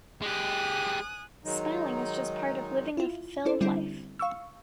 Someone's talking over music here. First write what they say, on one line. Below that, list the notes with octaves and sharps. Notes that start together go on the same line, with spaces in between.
Smiling is just part of living a fulfilled life.
G#3 G4 G#5 D#6 F#6
D#3 F#3 G#3 D#4
E4 F4
C#4 D4 E4 A4 C5
D3 G3 C4 D4 E4
F5 C#6 E6